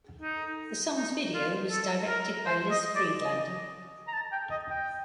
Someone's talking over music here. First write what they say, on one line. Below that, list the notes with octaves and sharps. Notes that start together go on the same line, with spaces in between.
The song's video was directed by Liz Friedlander.
D#4
D#4
F4
A4
A#4
C5
D#5
D5
D#5
A#5
A5
G5
D#5
G5